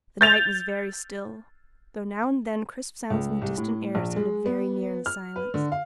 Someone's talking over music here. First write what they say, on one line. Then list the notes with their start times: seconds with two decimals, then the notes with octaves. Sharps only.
The night was very still, though now and then crisp sounds in the distant air sounded very near in the silence.
0.21 G6 A6 F7
3.10 C#2
3.42 C2
3.57 A2
3.95 A#1
4.16 G#3
4.46 B3
5.06 F6
5.36 B4
5.54 D3
5.72 F5